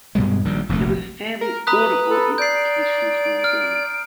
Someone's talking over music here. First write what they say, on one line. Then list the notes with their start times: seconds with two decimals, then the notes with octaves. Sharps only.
There was a fairly audible imprecation from within.
0.15 G2 B2 G3 G#3
0.45 A#1 D#3 G3
0.69 F1 A#1 D#2 A3
1.41 A#4
1.67 B4 A#5 D#6 F#6
2.09 A4
2.38 D5 G6 C7 D7
3.44 F6